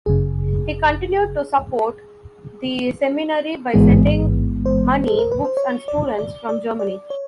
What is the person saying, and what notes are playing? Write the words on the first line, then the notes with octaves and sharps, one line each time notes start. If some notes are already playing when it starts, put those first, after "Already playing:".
He continued to support the seminary by sending money, books, and students from Germany.
G1 F#2 C#3 G#4
A1 G#2 E3 G#3 B3 G#4
C5
A4
A#4
B4
C5
C#5
D5
D5
D5
D5
C#5